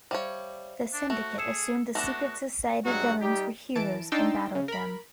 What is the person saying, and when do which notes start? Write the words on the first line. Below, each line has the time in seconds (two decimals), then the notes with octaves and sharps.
The Syndicate assumed the Secret Society villains were heroes and battled them.
0.11 G3 C5 C#5 E5 F5
0.94 D4
1.10 A3 F#4
1.38 G#4 E6 C#7 E7
1.95 A3 B3 D4 F#4 A#6 E7
2.86 G2 F#3 G#3 F#4 F#5
3.22 G3 D#4 G4
3.75 E3 A5 D7
4.12 D4 D#4 G5 C6 E6 A6
4.55 C#3
4.68 A#4 B5